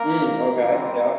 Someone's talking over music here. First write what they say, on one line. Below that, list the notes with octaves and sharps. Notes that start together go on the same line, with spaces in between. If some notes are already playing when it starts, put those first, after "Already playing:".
Mm, okay. Yep.
Already playing: A#3 A#4
C3
G3 C4